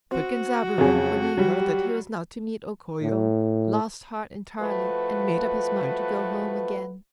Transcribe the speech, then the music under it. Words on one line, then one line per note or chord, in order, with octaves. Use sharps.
But Genzaburo, when he heard that he was not to meet O Koyo, lost heart entirely, and made up his mind to go home again.
C4 F#4
F2 C#3 F#3 F4 G#4
F#3 G3 G4
A2
F3 A3 F#4 B4